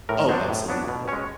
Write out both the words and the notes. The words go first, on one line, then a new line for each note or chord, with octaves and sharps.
Oh, absolutely.
A2 A#4
F#3 B3 D4 C5
A2
F#3 B3 D4
B2
G#3 C#4 C#5